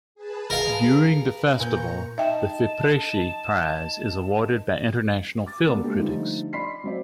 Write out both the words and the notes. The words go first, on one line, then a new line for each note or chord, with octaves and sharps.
During the festival, the "Fipresci Prize" is awarded by international film critics.
G#4 B4 A5
A#4 F5
B4
A#2 A#5 C#6 G6
D#4 E5 G5 A5
D6 A6
C#3 A#3 B3 D4 A4
G#3 A#3 G4 A4 A#4
D3 F3 G3 A3 D#4
D5 B5 C6 B6 C7
F#3 C4 D5